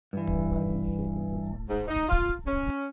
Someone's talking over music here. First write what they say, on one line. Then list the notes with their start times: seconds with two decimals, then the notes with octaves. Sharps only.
Society is shaken to its foundations.
0.13 G2 E3
1.69 G#2
1.88 D#4
2.09 F4
2.47 C#4